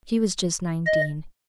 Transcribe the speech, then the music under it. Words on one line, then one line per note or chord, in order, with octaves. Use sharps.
She was just nineteen.
D#5